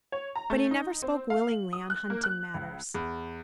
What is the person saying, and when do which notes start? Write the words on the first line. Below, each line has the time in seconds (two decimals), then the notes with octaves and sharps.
But he never spoke willingly on hunting matters.
0.12 C#5
0.36 A#5
0.50 A3
0.71 D#4
1.02 C4
1.30 F5
1.49 F#7
1.73 D#6
1.90 F#6
2.10 A#3
2.24 F#6
2.54 C#2
2.94 E2